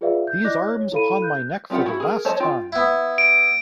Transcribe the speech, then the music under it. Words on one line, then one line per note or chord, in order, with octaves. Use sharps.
These arms upon my neck for the last time!
F4 G#4 B4 D5 E5 F5
G6
E4 D5 D#5 D6 F#6 A#6
C#5
E4 A4 F5 B5 D#7
F#6 G6
G3 C4 F4 G4 F#5
E4 F#4
G#4 A#4
C5 C#5 D#5 A5
F4 G5
B3 E4
D7